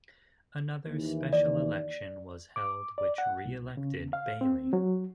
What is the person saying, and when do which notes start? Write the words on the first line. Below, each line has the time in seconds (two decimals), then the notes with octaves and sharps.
Another special election was held which re-elected Bailey.
0.86 D#2 E3
1.33 D5
2.56 D6
2.98 D5
3.18 F#5
3.45 C2
3.77 C#3
4.13 F5
4.41 C4
4.73 F#3